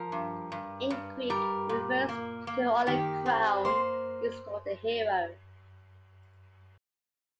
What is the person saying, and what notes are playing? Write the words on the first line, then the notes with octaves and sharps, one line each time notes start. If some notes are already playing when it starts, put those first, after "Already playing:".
In Greek it refers to the olive crown used for the hero.
Already playing: F3 A#4
G2
G2
G2
G3 A#4
A#2
A#3
A#3
D#3 G4
C4
A#3 C5